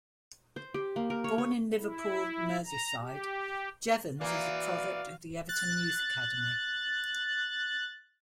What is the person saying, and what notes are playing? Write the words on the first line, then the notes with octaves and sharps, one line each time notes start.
Born in Liverpool, Merseyside, Jevons is a product of the Everton youth academy.
C5
G4
A#3
A#4
C#5
C#5
E4
A#5
G4
E3 A#3 F#4 D5 F5
F#6 A6